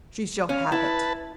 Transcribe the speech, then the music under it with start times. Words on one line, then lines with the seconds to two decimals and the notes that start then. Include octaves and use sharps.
"She shall have it."
0.49 C#4 F5
0.72 E4 B4 A5